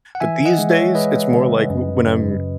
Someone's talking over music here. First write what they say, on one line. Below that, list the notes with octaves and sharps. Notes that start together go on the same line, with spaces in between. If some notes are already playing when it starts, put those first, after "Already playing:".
But these days it's more like w when I'm
F#5
E3 E5 G#5
D#5 F#5
G#3
C#5 E5
G#3 B4 D#5
C#3
F#2
F#2